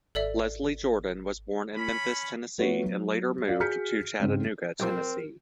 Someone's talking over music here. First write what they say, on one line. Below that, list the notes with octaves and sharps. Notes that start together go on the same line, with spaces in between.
Leslie Jordan was born in Memphis, Tennessee and later moved to Chattanooga, Tennessee.
G#1 A4 D5 E5
C#4 B5
A3 B3 F#4 B4 C#5
F#3
F4 F#4 D5 F5
F#4 G#4 F6 G6 B6 C#7
G#2 C#3 G#3 C4
B1 G2 F3 C4 A#4